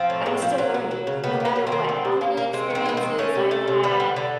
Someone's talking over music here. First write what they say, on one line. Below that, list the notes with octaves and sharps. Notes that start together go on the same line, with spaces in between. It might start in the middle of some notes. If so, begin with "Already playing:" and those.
eh, I'm still learning no matter what. How many experiences I've had,
Already playing: F3 C4
A2
G#3
F3
F#3
F#3
F#3
C#3
D#3 B3
A#3
B3
F#3
C4
D#3
D3
G3
A#3
A#3
G#3 C4
D#3 C4
G#3 B3
C4
D#3
A3 C#4
C3
A3
C3
D3 B3
D3
D3